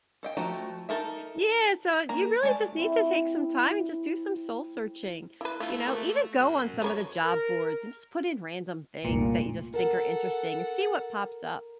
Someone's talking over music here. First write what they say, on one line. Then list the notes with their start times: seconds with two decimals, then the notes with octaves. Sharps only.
yeah, so you really just need to take some time and just do some soul searching. You know? Even go on some of the job boards, and just put in random things that you just think are interesting. See what pops up.
0.23 A4 D#5 G5
0.37 F3 A3 F#4 G5 A#5
0.89 D#4 A4 A#4 E5
2.09 A#3 A#4 A#5
2.43 G#3 A3 D5
2.77 A3 C4 E4
5.41 E4 B4
5.60 A3 E4 F4
5.88 A#3
6.39 F#2
6.82 C#4 A#4 C#5
7.23 A#4
9.05 F1 C2 A#2
9.74 A4 A#4 F#5